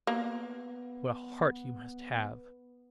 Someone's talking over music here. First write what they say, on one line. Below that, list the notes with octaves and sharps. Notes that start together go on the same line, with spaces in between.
'What a heart you must have!'
A#3 B3